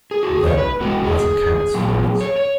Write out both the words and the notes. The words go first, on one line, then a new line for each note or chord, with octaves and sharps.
Then that accounts for it.
G#4
F#4
G#4
C#5
B4
B2 G#3 B3 F#4
G#4
A#2 F#3 B3
C#5
C#5